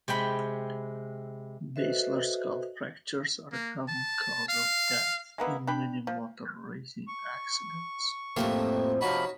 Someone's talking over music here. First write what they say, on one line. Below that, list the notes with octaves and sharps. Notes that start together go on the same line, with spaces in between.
Basilar skull fractures are a common cause of death in many motor racing accidents.
C3 G#3 G5 B5
F#4 A4 B4 C5 D#5 E5
A#3
A5
F5
G#3 A#3 B3 E4
D4 G5 B5
F3
C#6
F2 A2 F3 A3 A#3 G4
C3 F3 D#4 F#4 C#5 B5